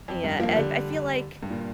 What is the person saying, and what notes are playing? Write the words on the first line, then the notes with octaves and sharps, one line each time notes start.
Yeah, I I feel like
F2
G2
F3 A#3
D3 G3
G2
A#2